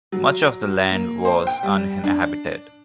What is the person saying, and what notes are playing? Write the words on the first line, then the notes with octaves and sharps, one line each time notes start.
Much of the land was uninhabited.
F#3
A#3
C5
G5
G3
D4